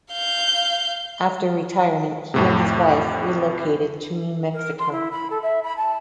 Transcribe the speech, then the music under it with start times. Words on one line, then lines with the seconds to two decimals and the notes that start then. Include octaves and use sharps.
After retirement he and his wife relocated to New Mexico.
0.12 F5 G6
2.34 F2 A2 C3
4.53 A#4
4.79 C6
4.92 E4
5.11 B5
5.30 A4
5.42 E5
5.63 B5
5.77 A5